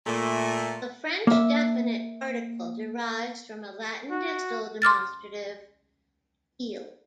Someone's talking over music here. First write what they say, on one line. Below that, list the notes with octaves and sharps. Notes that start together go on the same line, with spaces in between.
The French definite article derives from a Latin distal demonstrative, "ille".
A#2 A3
A#3 E5
F#4
C6 D6 F6 A6